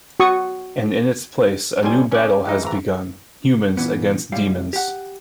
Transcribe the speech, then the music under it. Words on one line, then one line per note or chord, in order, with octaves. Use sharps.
And in its place, a new battle has begun: humans against demons.
F#4 C#6 D#6
B1 A2 G3 C5 G5 G#5
C#4 D5
E3 G#3 D#4
G#1 E3 A#5
A#2 E3 B3
C2 F#2 A2 G3 F5
G4 F#5